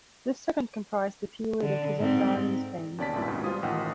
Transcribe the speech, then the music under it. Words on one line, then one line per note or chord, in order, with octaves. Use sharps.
The second comprised the period of his exile in Spain.
D3
G#2 C4
D#2 B2 C#4 D5 A5 B6
G#1 C#2 G2 A#2 E4
D#2 G#2 B2
G3 F4 C5 D#6
A1 D#3 F#5 G5 D#6